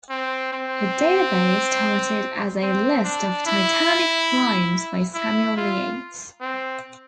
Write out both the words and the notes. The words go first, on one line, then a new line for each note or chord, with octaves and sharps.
The database started as a list of titanic primes by Samuel Yates.
C4
C4
C4
D4
E4
E4
F4
C4